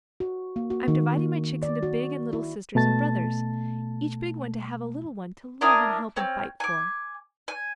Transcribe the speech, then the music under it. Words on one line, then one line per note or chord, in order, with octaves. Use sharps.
I'm dividing my chicks into big and little sisters and brothers, each big one to have a little one to love and help and fight for.
F#4
A#3
F#4
D#3
A#3
D5
F#4
E4
B2 A3 A5 A6
D4 E4 A#4 D#6
C4 C#4
G#5 D6
G#5